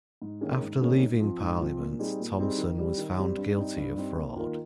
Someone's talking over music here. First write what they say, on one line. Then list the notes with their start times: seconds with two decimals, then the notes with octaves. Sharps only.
After leaving parliament, Thomson was found guilty of fraud.
0.22 G#2
0.41 D#3 A#3 C#4 G#4
0.61 G#2
0.80 D#3 A#3 C#4 G#4
1.00 G#2
1.20 F3 C4
1.41 G#2
1.59 F3 C4
1.79 A#2
1.99 G3 C4 D#4 G#4
2.19 A#2
2.39 G3 C4 D#4 G#4
2.58 D#3
2.78 G3 C4 G4
2.98 D#3
3.17 G3 C4 G4
3.37 G2
3.57 G3 C4 D#4
3.77 G2
3.96 G3 C4 D#4
4.16 D#2
4.36 D#3 A#3 F4 A#4